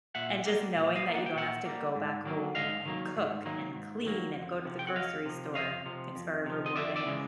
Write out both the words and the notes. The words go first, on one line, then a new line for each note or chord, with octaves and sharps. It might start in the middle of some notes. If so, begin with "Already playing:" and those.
And just knowing that you don't have to go back home and cook and clean and go to the grocery store. It's very rewarding.
A#2 E5 F#5
G3 A#3
A#2
D#5 F5
G3 A#3
F#5
G5
A#2 E5 F#5
G3 A#3
G#2
D#3 F#3 A#3
G#2 D#5 F5
D#3 F#3 A#3
G#2
D#3 F#3 A#3
G#2
D#3 F#3 A#3
F2
C3 F3
G5
F#5
F2 D#5 F5
C3 F3
F2 D#5 F5
C3 F3
F2
C3 F3
D#5
F2 D5 E5
D5 E5
C#3 E3 G#3